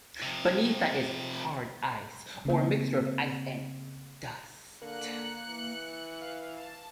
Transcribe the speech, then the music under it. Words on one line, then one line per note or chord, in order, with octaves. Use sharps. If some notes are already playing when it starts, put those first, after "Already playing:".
Beneath that is hard ice, or a mixture of ice and dust.
C3 F3
C#3 A#3 C4
D3 A#3 F#6 C#7
E3
F5
A5